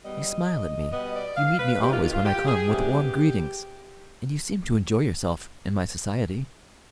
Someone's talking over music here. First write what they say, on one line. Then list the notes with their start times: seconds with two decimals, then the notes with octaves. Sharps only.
You smile at me, you meet me always when I come with warm greetings, and you seem to enjoy yourself in my society.
0.04 G#2 G3 B3 D#5
0.92 B2 G3 B3 D#5
1.15 D5
1.36 F5
1.59 B4
1.80 C3 D#3 G#3 G4
1.92 F4
2.02 F4
2.13 F4
2.25 G4
2.47 G#4
2.69 D2 C3 G3 B3 G4